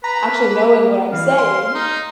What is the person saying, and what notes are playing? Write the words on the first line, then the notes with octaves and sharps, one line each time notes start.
actually knowing what I'm saying."
B4 A#5
A#3
E3 F5
C6
D#4